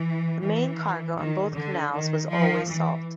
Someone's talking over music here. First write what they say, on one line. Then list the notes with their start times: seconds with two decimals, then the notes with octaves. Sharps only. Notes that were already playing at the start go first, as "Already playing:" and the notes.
The main cargo on both canals was always salt.
Already playing: E3
0.41 E3
1.17 D#3
1.55 D3
1.93 D#3
2.30 F3
2.68 E3